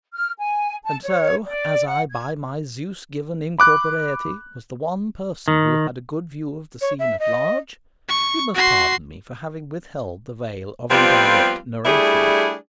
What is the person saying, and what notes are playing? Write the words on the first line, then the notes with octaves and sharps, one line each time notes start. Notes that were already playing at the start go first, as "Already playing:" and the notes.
And so, as I by my Zeus-given incorporeity was the one person who had a good view of the scene at large, you must pardon me for having withheld the veil of indirect narration.
F6
G#5
A5
C#5
D5
F#5
G#6
B5 D6 F#6
D#3
C#5
E5
D#5
C#6
F#4 C6
F3 G3 B3 C4 F4 G4
G3 A3 D4 E4 G#4